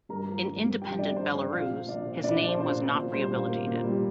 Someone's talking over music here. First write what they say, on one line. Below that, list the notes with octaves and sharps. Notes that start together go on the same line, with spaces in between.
In independent Belarus, his name was not rehabilitated.
G2 A#4 A#5
F3
G2
C4
G2 G4 G5
F3 D4 D5
G2 C5
C4
A#2 F4 F5
F3
A#2 D4 D5
C4
A#2 D4 D5
D4 D5
F3
C5
A#2 C5
C4
A#2
G3 C5
A#2
A#3
A#2
G3